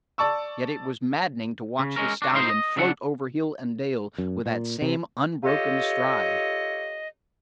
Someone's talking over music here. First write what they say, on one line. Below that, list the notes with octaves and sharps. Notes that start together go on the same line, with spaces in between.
Yet it was maddening to watch the stallion float over hill and dale with that same unbroken stride.
D5 A5 C#6 E6
C#3
G#3 C#4 A#4
D4 F#4
A2 D#4 C5 D#5 C6
D#5
C#3 F#3 D4 E5 F#5
F#2
A#2
C3
F4 G4 A4 C#5 D#5